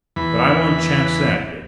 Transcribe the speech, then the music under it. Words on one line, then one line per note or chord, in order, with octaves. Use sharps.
But I won't chance that yet.
E2 E3 B5